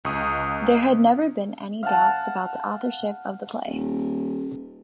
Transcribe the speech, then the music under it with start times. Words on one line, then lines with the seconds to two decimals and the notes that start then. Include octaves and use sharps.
There had never been any doubts about the authorship of the play.
0.05 C#2 C#6 D#6
1.83 F5 F#5 A5
3.66 D#1